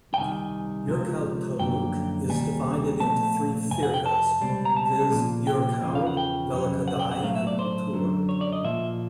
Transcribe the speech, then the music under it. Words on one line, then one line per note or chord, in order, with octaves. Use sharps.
Yercaud Taluk is divided into three Firkas viz., Yercaud, Vellakkadai and Puthur.
G5
C2 C3 D#3 G#5
C#2 C3 F3
F#2 D3 F3 A#3 G5
D#2 D#3 G3 A#3 G#5
A#2 F3 A3 A5
F2 C3 G#5
F#5
G5
A5
C#2 B2 G3 C4
A#5
A5
A#2 F3 A#3
G5
E2 C#3 F3
F5
F#5
G5
F2 C#3 F#3
F#5
G5
F#5
A2 F#3 A3 C4 F5
E5
D5
C5
F#2 D3 F#3
C#5
D5
D#5
A#2 F3 A#3 E5